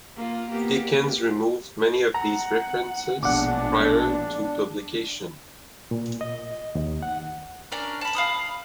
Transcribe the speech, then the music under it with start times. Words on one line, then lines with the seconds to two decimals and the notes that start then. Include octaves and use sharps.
Dickens removed many of these references prior to publication.
0.16 A#3 F4
0.50 A#3 B3 G4
2.14 F#5 A#5
3.23 A#1 B2 G#3 D4 F#5 D6
5.91 A#2
6.21 D#5
6.75 D#2
7.03 F#5
7.72 C#4 D4 A#4
8.01 A5 B5
8.15 F5 B5 D#6